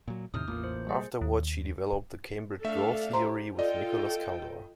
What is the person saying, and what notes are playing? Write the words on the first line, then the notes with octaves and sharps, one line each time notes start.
Afterwards she developed the Cambridge growth theory with Nicholas Kaldor.
A#2 F#3
E2 A2 C3 D#3 D#6 F6 G6
A1 A#3 F4 D6
C5
G3 G#4 C5 D#5
D#2
A3 D4 A4 E5 F5
G4 C5 A#5 C6
F4 A4 D5 D#5 G5